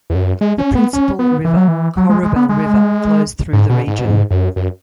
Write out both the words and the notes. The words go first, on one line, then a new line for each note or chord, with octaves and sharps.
The principal river, Corubal River, flows through the region.
E2
F#2
G#3
C#4
B3
C#4
B3
E3
F#3
E3
F#3
G#3
G#3
B3
G#3
G#2
B2
G#2
B2
G#2
F#2
F#2